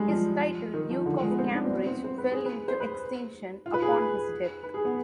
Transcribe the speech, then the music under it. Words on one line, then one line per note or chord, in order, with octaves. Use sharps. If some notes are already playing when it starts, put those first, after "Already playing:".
His title, 'Duke of Cambridge', fell into extinction upon his death.
Already playing: G3 G#3
F3
D#3
F3
D3
F3
G#3
B3
C4
D4
C4
B3
C4
C5
B4
G#4
B4
C5
B4
F4
B4
G#4
B4
B4
G#4
B3